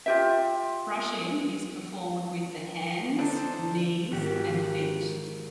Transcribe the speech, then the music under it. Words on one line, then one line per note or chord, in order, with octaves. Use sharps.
Brushing is performed with the hands, knees, and feet.
F4 G4 E5
D3 D4 D#4 A4 C5 D5
G#1 F#4 G4